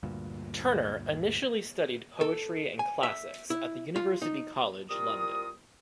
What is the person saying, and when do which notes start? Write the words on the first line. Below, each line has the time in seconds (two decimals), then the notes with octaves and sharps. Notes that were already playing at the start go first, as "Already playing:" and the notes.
Turner initially studied poetry and classics at the University College London.
0.03 D2 G2 A#2
2.21 A4
2.79 G#5
3.03 E5
3.50 E4
3.96 F4
4.22 D#4
4.89 C2 G3 F4 A#4 D#6